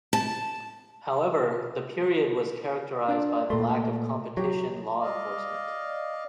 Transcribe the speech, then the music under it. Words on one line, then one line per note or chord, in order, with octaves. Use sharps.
However, the period was characterized by the lack of competition law enforcement.
A5
D4 D5 A5
A#2 A3 C6
F#3 F#4 G4
D5 D#5 F5